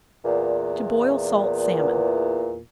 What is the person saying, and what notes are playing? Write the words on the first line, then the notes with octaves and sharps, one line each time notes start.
To Boil Salt Salmon.
E2 A#2